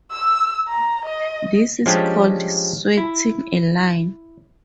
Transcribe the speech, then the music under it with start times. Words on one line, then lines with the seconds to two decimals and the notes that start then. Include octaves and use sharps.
This is called "sweating a line".
0.12 E6
0.68 A#5
1.06 D#5
1.86 F3 G3 G#3 C#4 D4 G4
2.97 E4